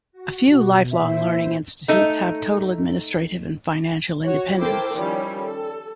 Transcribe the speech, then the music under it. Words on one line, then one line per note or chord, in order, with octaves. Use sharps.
A few lifelong learning institutes have total administrative and financial independence.
F#4
B2 F#4
A#2 E4 C5 E5
A3 D#4 A4
F#4 C#5
E4 A4 A#4 C5 G5 D6
D#3 F3 G3 C#4 E4
A4